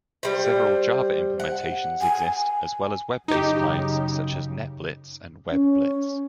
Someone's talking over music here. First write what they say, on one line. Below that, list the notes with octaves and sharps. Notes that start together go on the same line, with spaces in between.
Several Java implementations exist, as well as web-based clients, such as NetBlitz and WebBlitz.
G3 C5
F#5
G#5
F#2 C#3 D#4 G4
C#4